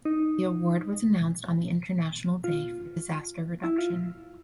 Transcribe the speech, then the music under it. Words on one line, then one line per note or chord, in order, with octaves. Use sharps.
The award was announced on the International Day for Disaster Reduction.
D#4
F4
E4
F4